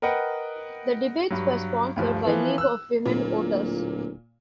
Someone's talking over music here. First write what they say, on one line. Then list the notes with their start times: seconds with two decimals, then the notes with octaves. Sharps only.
The debates were sponsored by League of Women Voters.
0.02 A#4 B4 D#5 F#5 G5
1.30 G2 F#3
1.96 D2 G2 F3
2.25 E3 F3 B3
2.58 E6 F#6
3.05 D1 A#2